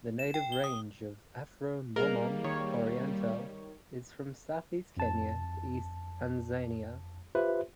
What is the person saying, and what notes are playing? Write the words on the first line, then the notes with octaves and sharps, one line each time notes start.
The native range of "Aframomum orientale" is from Southeast Kenya to East Tanzania.
E7
G5
G7
D#6
G3 A#3 G#4 A#4 B4 D#5
D#3 C#5
F2 A5
F4 G4 B4 C5 E5